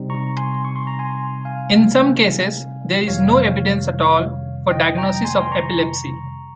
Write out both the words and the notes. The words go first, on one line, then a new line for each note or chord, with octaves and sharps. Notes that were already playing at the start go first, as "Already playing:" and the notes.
In some cases there is no evidence at all for a diagnosis of epilepsy.
Already playing: C3 G3 C4 D#4
A#5 C#6
G#5 C6
C#6
C6
A#5
G#5 C6
F5 G#5
F2 C3 D#3 G3 C#5 F5
D#5 G5
G5 A#5
G#5 C6
C6
A#5 C#6